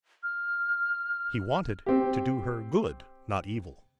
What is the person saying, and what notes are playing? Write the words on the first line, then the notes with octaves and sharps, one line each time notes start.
He wanted to do her good, not evil.
F6
C4 G4